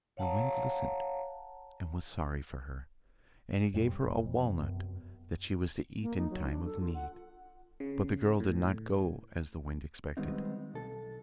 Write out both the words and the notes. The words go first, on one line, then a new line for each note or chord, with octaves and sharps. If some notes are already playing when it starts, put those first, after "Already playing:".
And the Wind listened, and was sorry for her, and he gave her a walnut that she was to eat in time of need. But the girl did not go as the Wind expected.
C#5 F5 F#5 A5 A#5
F2 G#2 B2 G3
F1 A#2
F2 C3
F#2 B3
A#3
D#4
F#3
D4
A4
F4
F#5
C#3
A2
D#3 G3 G#3 B3 C4 D#4
B1 A4